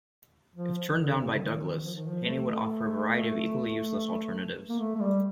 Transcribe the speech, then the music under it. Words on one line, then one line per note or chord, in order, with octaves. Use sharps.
If turned down by Douglas, Haney would offer a variety of equally useless alternatives.
F3
D3
C3
D3
D#3
F3
D#3
F3
A3
A#3
A3
A3
G3